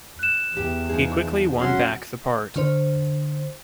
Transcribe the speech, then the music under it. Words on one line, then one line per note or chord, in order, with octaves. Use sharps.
He quickly won back the part.
F#6 E7
E2 G4
F3 D#4 G#4
F#3 C#4 F#4 C6
D3 D4 C5